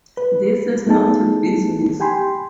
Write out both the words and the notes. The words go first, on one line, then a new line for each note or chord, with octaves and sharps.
This is not your business.
B4
A3 B3 D#4 G#4 A5
G4 G5 G#5 B5 C6